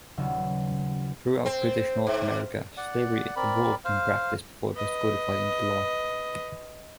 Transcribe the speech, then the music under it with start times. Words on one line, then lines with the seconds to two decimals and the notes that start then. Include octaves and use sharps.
Throughout British North America, slavery evolved in practice before it was codified into law.
0.17 D#1 C#3 F#3 B3 D#4 E6
1.46 C4
2.07 G#2
2.77 D5 F#5
3.36 C4 A#4 D5 B5
3.85 C5 F5
4.74 B4 D#5